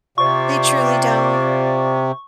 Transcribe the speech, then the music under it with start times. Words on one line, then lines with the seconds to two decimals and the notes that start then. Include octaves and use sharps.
They truly don't.
0.18 C3 F4 C5 D5 C#6